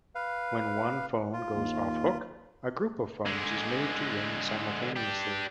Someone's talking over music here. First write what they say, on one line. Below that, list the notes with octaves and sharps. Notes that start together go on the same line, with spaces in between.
When one phone goes off-hook, a group of phones is made to ring simultaneously.
B4 F5
F4
D#2
D3 G#3
D4 G4